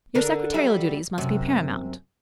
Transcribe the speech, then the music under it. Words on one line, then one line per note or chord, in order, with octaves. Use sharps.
Your secretarial duties must be paramount.
D3 D4 A#4
F#3 G3 E5
F#2 C3